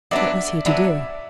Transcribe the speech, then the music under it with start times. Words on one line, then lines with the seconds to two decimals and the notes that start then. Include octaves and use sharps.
What was he to do?
0.11 F#3 B3 D4 D5 E5
0.66 F#3 B3 D4 D5 E5